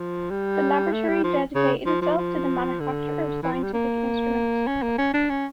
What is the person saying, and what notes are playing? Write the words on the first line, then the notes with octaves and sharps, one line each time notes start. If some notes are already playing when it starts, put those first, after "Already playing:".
The Laboratory dedicated itself to the manufacture of scientific instruments.
Already playing: F3
G3
A3
G3
F3
C#3
F3
F3
F3
D3
E3
F3
G3
A#3
C#4
A#3
C#4
D4
C#4